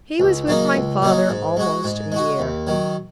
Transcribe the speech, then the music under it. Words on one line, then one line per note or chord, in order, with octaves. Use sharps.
He was with my father almost a year.
C#2
C#3 F#3 A#3 D#4
C#2
C#3 F#3 A#3 D#4
G#2
G#3 F#4
G#2
G#3 F#4
D#2
D#3 F#3